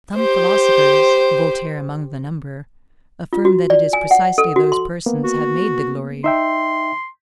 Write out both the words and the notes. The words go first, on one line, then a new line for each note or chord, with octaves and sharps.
Some philosophers--Voltaire among the number--affirm that it is precisely those persons have made the glory.
G4 C5
F4
F#4
D5
G#5
F#5
A4
F#4
C6
A#3 B3
F#4
D#4 E5 G5 C6